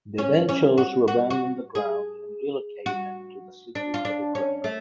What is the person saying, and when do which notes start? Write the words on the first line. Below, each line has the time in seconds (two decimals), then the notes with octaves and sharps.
They then chose to abandon the ground and relocated to the Sydney Cricket Ground.
0.18 C#4
0.49 C#4
0.78 F#4
1.08 F#4
1.30 F#4
1.75 G#4
2.86 F#4
3.75 D4
3.94 F4
4.05 D4
4.35 C#4
4.64 A3